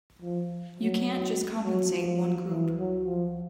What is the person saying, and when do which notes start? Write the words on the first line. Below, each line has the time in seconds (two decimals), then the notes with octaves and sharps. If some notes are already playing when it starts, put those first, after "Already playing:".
You can't just compensate one group.
0.22 F3
0.79 F#3
1.64 F#3
1.92 F3
2.48 E3
2.76 F#3
3.04 F3